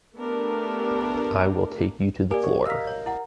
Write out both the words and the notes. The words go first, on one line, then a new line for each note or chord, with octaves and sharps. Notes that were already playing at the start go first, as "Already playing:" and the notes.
I will take you to the floor.
A3 B3 D4 G4 A#4
A#3 G4 A#4 D5 G#5
F#4 C#5
D#5 F5 A#5 E6 B6
C#5
E4 F#5